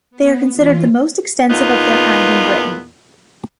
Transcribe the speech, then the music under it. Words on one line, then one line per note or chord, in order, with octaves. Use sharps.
They are considered the most extensive of their kind in Britain.
B3
E3 F4
E2 A#2 B3 D#4 F4